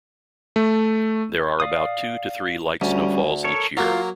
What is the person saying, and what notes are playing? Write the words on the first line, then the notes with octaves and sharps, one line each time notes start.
There are about two to three light snowfalls each year.
A3
D5 F5 D#6
D2 G3 C#4
A4 A#4 C#5
F#3 A#3 F4